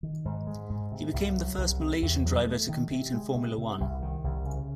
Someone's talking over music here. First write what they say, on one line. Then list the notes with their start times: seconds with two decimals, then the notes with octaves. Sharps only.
He became the first Malaysian driver to compete in Formula One.
0.03 D#3
0.25 G#2
0.47 G#3
0.70 G#2
0.92 C3
1.14 C2
1.36 F#3
1.58 C2
1.80 C3
2.02 E2
2.25 F#3
2.47 A3
2.69 D#3
2.91 C3
3.14 G#3
3.35 C3
3.58 C3
3.80 C2
4.02 D#3
4.24 C2
4.46 C#3